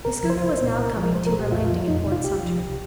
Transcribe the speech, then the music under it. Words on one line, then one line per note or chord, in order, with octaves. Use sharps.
The schooner was now coming to her landing at Fort Sumter.
C2 A#4
A#4
F3
C5
C2
A#2
C2 A#4
F3 A#4
C2 C5
A#4
A#2
G4
F2 F4
F4
F3
F4
F2 D#4
C3
F4
C2 G4
F3
C2